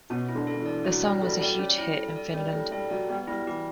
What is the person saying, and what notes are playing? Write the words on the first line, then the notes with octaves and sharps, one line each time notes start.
The song was a huge hit in Finland.
B2 C#4
E4
D3
A4
D3
E3
D5
F#3 C#4
G3 E4
G3 A4
G3 D5
C#4
E4
A4
D5
G3 C#4
A3 E4
G3 A4
F#3 D5
G3 B3
G3 E4
E3 G4